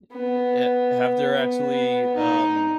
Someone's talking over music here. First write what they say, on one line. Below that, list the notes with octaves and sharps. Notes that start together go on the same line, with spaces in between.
N uh, eh have there actually, um,
B3
B3
D#4